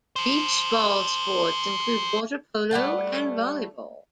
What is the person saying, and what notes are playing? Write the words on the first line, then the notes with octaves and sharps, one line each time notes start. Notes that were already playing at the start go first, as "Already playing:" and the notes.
Beach ball sports include water polo and volleyball.
A4 C5
G3 A3 F#5 A5